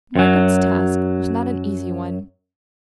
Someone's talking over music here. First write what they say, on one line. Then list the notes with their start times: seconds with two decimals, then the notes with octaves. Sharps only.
Margaret's task was not an easy one.
0.16 F#2 F#3